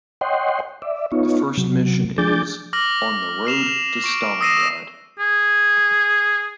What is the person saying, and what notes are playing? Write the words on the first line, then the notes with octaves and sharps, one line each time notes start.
The first mission is On the Road to Stalingrad.
C#5 D#5 F#5 G5 C6
D5 E5
B3 D#4 F4 C#5
C3 F#3
F3 D4 G#4 D6 G6 A6
D6 F6 A#6 F#7
F6 C7 E7 F7
C#6 D7
D#6 E6 A#6 C7 D#7 E7
G#4